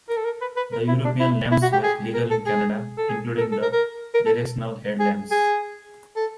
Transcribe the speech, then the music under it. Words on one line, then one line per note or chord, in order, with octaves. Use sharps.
The European lamps were legal in Canada, including the directional headlamps.
A#4
A4
A#4
B4
B4
A#4
E4
D4
E4
E4
F#4
G4
G#4
A#4
A4
G#4
A4
G#4
A#4
A4
A4
A#4
A#4
A#4
A4
G#4
G#4
A4